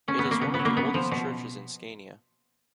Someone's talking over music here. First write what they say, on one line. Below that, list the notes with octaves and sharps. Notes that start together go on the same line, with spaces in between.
It is one of the oldest churches in Scania.
B2 C#4
B3
F#3
A#3
C#3 B3
B3
F#3
A#3
C#3 B3
F3
B2